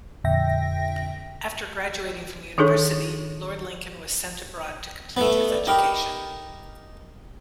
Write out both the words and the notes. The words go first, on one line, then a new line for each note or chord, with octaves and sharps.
After graduating from university, Lord Lincoln was sent abroad to complete his education.
F2 A#2 D3 E5 G5 A#6
D#3 D4 D#4 G#4 A4 C#5
A3 B3
D5
D#4 G4 A#4 B5